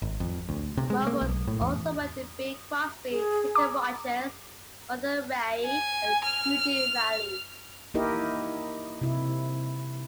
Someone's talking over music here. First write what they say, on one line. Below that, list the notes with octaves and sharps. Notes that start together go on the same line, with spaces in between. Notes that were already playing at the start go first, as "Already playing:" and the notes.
Morros also worked with Bing Crosby, Ginger Rogers, Martha Raye, and Rudy Vallee.
G#1
F2
D2
C3
G#3
A#3
B1
A2
E2
G#4
A#5 D6
G#5
F6
A#3 D#4 E4 G4 A#4 D#5
C3 E4